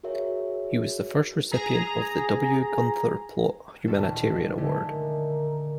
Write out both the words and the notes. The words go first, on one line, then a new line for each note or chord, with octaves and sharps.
He was the first recipient of the W. Gunther Plaut Humanitarian Award.
F#4 G#4 A#4 C#5 E5
G#4 A#5
D#1 A4
D3 G#3 A3
A#4